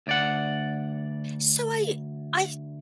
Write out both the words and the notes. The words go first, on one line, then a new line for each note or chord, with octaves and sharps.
so, I I
D2 D5 F#5